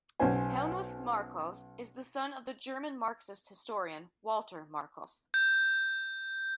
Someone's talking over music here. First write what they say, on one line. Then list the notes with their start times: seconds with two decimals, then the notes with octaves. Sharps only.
Helmuth Markov is the son of the German marxist historian Walter Markov.
0.20 B1 C#4 C5 G#5
5.34 G6